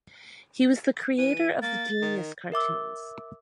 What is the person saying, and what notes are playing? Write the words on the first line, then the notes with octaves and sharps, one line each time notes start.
He was the creator of the "Genius" cartoons.
E3 D#7
A#3 A6
D#3
A#4 E5 D6 E6